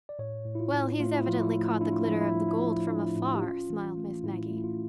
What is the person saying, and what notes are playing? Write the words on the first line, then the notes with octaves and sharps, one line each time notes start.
"Well, he's evidently caught the glitter of the gold from afar," smiled Miss Maggie.
D5
A2 C#5
A2
E4
F4
A2
A3 F4
E4
F3 F4
E4
A3
D4 E4
F4
F3 E4
E4
F3
E4
F3
D4
A2
G4
C#4 F4
E3
A3
A2 E4
A3
E4
F4